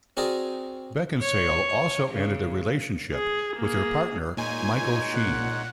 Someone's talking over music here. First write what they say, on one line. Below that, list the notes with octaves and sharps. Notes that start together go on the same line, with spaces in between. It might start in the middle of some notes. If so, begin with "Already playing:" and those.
Beckinsale also ended a relationship with her partner Michael Sheen.
C4 F#4 G#4 A#4 D5
C#5
C#3
G#4
A#3 G#4
A#2 G#3 D#4 C#5 G#5
A#2 F#5